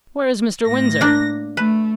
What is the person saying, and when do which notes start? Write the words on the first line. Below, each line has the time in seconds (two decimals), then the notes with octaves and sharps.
"Where is Mr. Windsor?"
0.65 A2 A#6
1.01 A#3 D4
1.57 A3 B4